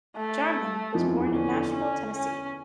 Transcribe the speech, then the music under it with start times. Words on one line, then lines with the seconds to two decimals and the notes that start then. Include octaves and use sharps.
Jarman was born in Nashville, Tennessee.
0.17 A3
0.94 F2 F3 G#3
1.07 E2 E3
1.21 E2 E3
1.33 D3 C#4
1.54 D3
1.73 D3 C#4
2.12 C#4